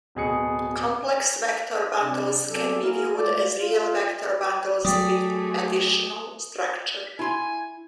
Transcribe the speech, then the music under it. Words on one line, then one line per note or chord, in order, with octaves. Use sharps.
Complex vector bundles can be viewed as real vector bundles with additional structure.
D1 B2 G#4 C#7
C3 D4
F#3 B3 C4 G#4 A4 D5
A#3 E4 F#4 G#4 A#4
G#3 A3 F4 D5
F4
F#3 A3 G4 G#4 D5 D#6
E4 G#5 C6